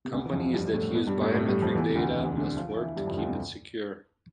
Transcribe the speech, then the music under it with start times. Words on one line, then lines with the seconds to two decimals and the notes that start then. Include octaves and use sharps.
Companies that use biometric data must work to keep it secure.
0.05 C3
0.12 D2 D3
0.26 E3
0.33 F2 F3
0.54 G2 G3
0.74 A2 A3
0.94 B2 B3
1.07 G2 G3
1.21 A2 A3
1.34 A2 A3
1.48 G2 G3
1.62 F2 F3
1.75 E2 E3
1.89 C3
1.95 D2 D3
2.16 E2 E3
2.36 D3 D4
2.57 F3 F4
2.76 E3 E4
2.97 G2 G3
3.07 F2 F3
3.17 D2 D3
3.28 C3